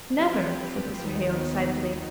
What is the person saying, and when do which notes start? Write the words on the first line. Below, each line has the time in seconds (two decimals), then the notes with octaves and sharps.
'Never!' said Mr. Hale, decidedly.
0.18 F3 C4 G4 B4
1.02 D#2 D#3 B3 D#4